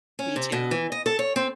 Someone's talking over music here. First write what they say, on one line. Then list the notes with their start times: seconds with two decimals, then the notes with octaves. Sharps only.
Me too.
0.19 C#4
0.36 C3
0.52 B2
0.71 E3
0.92 D#5
1.06 A4
1.19 C#5
1.36 C4